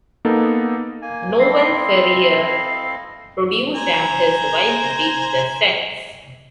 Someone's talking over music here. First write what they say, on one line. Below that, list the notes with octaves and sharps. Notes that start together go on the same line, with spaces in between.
Noel Ferrier produced and his wife did the sets.
A#3 B3 D#4 A4
A#3 G#5
C4 E4 A4 D#5 F5 C6
C5 G#5 A#5